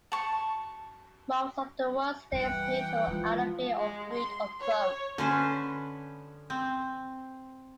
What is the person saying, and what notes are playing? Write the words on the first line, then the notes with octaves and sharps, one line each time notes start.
Most of the world stays neutral out of fear or greed or both.
A5 C#6
E3 G3 F#5 G5
F3 G#3
G#3
C6
C#5
D3 C#4 B4 C5
C4